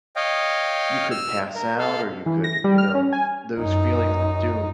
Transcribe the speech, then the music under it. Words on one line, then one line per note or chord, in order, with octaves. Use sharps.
you could pass out or you could, you know those feelings of doom.
C#5 D#5 F5 G5
E6 F6
A#4
A4 F5
E3
A#6
G3
F6
C#4
G#5
F#2 D#4